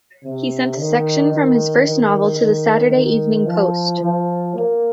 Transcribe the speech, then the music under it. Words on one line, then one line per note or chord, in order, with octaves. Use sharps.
He sent a section from his first novel to "The Saturday Evening Post".
C3
D#3
D#3
D#3
D#3
D#3
F3
F3
A#3